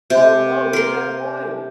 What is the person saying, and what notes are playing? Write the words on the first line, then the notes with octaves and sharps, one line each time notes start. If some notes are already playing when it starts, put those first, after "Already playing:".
Oh, no, you're that one!
C3
A#4 C6